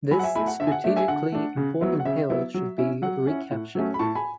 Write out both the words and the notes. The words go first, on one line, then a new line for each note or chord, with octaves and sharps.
This strategically important hill should be recaptured.
F#3 G#5 B5
F#5
E5 G#5
A3 E4 G#5 B5
F#5
D3 E5
G#5
F#5
A3 D4 E5
E5 G#5
D3 F#5
A3 D4
C#3
F#3 B3 E4
F#5
C#3 E5
F#3 B3 E4
F#3
C#4 E4
F#3 F#5
C#4 E4
A2
F#3 A3 C#4
B5
A2 A5 C#6
G#5 B5